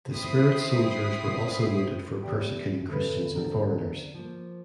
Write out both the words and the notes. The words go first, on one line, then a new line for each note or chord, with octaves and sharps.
The Spirit Soldiers were also noted for persecuting Christians and foreigners.
C4 E4 D#6 B6 C7
E2 G4
D3 A3 C#4 B4
C4 D4 A#4
F3 A#3